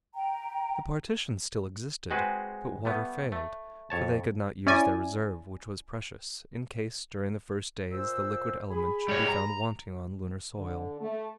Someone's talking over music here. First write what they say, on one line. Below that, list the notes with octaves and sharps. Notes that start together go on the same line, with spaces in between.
The partitions still existed, but water failed, for they could not use their reserve, which was precious, in case during the first days the liquid element should be found wanting on lunar soil.
G5 A#5
G#3 C4 F#4 G#4 B4
G3 A3 B3
A3
F2 C#5 A5
C#4 E4 D5 G#5
A#2 C5 E6
G#4 B5
G3 C#5
A#5
D3
A3